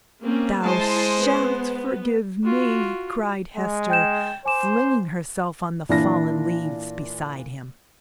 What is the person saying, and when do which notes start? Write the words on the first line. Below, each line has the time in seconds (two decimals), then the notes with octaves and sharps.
"Thou shalt forgive me!" cried Hester, flinging herself on the fallen leaves beside him.
0.22 A#3 C4 C#4
0.63 G#3 E4 C5 A5 C6
1.18 B3
2.43 F4 F#4
3.56 G#3
3.90 G5 G6 E7
4.46 C5 G#5 D6 E7
5.89 A#2 E3 D4 E4 A#6